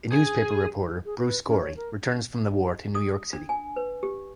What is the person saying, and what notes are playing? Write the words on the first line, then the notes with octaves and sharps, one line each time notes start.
A newspaper reporter, Bruce Corey, returns from the war to New York City.
G#4 G#5
G#4
B4
C#4
C#5
A#4
D#6
D4
G#5
B4
G4